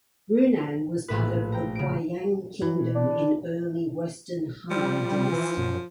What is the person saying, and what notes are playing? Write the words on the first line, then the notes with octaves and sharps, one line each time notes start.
Runan was part of the Huaiyang Kingdom in early Western Han dynasty.
A#1 A2 B4
G5 A#5
C#3 D7
E3
D4
F3 G3
E3
F#2